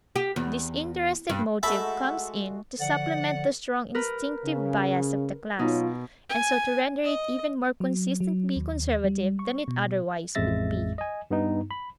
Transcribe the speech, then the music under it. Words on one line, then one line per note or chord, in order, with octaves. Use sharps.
This interested motive comes in to supplement the strong instinctive bias of the class, and so to render it even more consistently conservative than it otherwise would be.
G4
E2
G2
G#3 A3 F#4 E5 F#5 A5 B5
D3 F3 D5 F#5
A#4 B4
C#3
B2 F#3 D#4 F4
G#5
D#5
F#3
F#3
D#2
G3
C#6
B2
A1 F2 G#3 E5 A6 A#6
D#5 G#5
G2 B3 D#4
B5